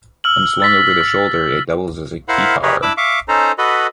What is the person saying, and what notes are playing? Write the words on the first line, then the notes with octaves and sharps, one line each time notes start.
When slung over the shoulder it doubles as a "keytar".
E6 F6 F#7
E6 A6 B6
E4 A#4 C5 F5 F#5 B5
G4 G#4 A#4 B4 C#5
D4 E4 B5 D6 E6
E5 F5 C#6 D6
C#4 D#4 A4 C5 A#5
F#4 A4 B4 D#5 B5